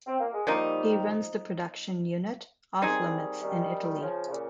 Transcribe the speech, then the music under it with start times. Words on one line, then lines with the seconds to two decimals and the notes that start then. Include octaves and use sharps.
He runs the production unit Off Limits in Italy.
0.06 C4
0.19 A#3
0.33 G#3
0.47 D#3 F3 G3 A#3 D#4
2.82 D#3 G3 C4 D#4 G#4
3.41 D#3 G3
4.00 C#3 F3
4.25 C3
4.29 A#2 C#3